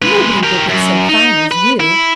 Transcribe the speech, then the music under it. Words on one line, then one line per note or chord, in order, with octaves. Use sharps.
Nobody will be so fine as you.'
G#3 B4
G4 A#4
F#2
D#4
B4
E4